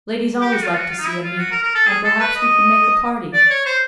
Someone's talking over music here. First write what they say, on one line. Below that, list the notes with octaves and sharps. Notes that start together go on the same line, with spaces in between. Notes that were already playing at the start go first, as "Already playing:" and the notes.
Ladies always like to see a meet, and perhaps we could make a party.
G4
F#4
F4
F#4
F4
D#4
E4
F4
F#4
A#4
A#4
A4
G#4
A4
B4
D#5
D5
C#5
C5